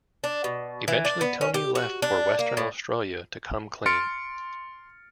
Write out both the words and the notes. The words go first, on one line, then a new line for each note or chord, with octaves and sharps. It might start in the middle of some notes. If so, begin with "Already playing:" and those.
Eventually Tony left for Western Australia to come clean.
D4
B2
E3
D4
B3
C#4
G4
F#4
D4
A#3
A2
C6 F6 A6 C#7 D7